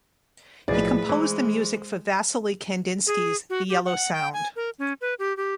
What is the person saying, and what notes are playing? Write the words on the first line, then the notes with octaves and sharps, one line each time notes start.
He composed the music for Wassily Kandinsky's "The Yellow Sound".
B1 A2 F3 E4 G#4 B4 D5
E3 G#3 C5
G#4
F#4
G4
F#5
G5
G#5
A#4
C#4
B4
G4
G4